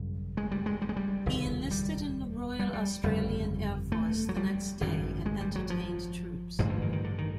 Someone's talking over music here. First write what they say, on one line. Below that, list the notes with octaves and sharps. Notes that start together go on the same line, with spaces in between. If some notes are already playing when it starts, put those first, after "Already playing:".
He enlisted in the Royal Australian Air Force the next day and entertained troops.
Already playing: G#1 F#2 C#3 G3
G#3
G3
G#3
G3
G#3
G3
F1 D#2 C#3
G3
G3
G3
G1 F2 C#3 G3
A3
F#3
G3
G#1 F#2 C#3
G#3
G3
F#3
F3
A1 G2 D3 F3
F3
D#3
D#3
D3
D#3